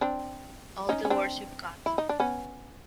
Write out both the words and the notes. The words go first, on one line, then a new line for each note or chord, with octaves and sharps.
All the words you've got.
C4 D4
C#4 D#4
C#4
C4 D4
E4
D#4
D4
B3 C#4